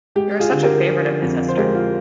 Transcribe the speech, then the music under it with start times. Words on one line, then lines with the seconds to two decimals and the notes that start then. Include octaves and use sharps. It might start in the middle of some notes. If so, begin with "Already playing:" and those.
You are such a favourite of his, Esther.
0.16 G#3 G4
0.40 F4 G#4
0.51 D3
0.63 G4 A#4
0.87 F3
1.22 F2
1.49 C5
1.57 G#3 G4 A#4
1.75 F4